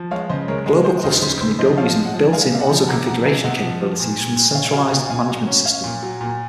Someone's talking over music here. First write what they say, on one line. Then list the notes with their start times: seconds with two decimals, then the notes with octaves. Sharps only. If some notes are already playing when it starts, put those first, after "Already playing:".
Global clusters can be built using built-in auto-configuration capabilities from the centralized management system.
Already playing: F3
0.11 G#3 C#5 F5
0.29 C#3 C5 D#5
0.48 G#3 A#4 C#5
0.66 G#3
0.84 G#3 C5
1.03 D#2 C5 D#5
1.22 C#3 C5
1.40 D#2 C5
1.59 F3 C5 D#5
1.77 F3 C#5 F5
1.96 G#3
2.05 D#5 F#5
2.14 F3
2.32 G#3 F5 G#5
2.51 C3 F5
2.60 D#5 F#5
2.69 F3
2.88 C3 F#5 A#5
3.07 F3 F#5 A#5
3.25 C3 F5 G#5
3.44 C3 D#5 F#5
3.62 F3
3.80 F3
3.99 A#2
4.17 A#2
4.36 A#2
4.54 C#4 F5 G#5
4.73 F#3 F5 G#5
4.91 A#2 F5 G#5
5.10 A#2 F5 G#5
5.29 F#3
5.47 C#4
5.65 C#4 C#5 F5
5.84 A#2
6.03 F#3
6.21 A#2